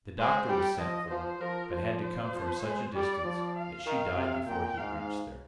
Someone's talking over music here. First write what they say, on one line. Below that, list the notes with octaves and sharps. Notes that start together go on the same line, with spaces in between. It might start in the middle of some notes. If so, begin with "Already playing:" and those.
The doctor was sent for, but had to come from such a distance that she died before he reached there.
G#3 C5
G3 G5
F3 D#5
F3 C5
F3 A#4
F3 C5
C5
F3
G#3
G3 D5
F3
F5
D#3
C3
A#2 G5
G#2 F5